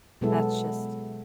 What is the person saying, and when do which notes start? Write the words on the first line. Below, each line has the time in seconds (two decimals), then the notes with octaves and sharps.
that's just
0.21 B2 F#3 G#3 B3 E4 A4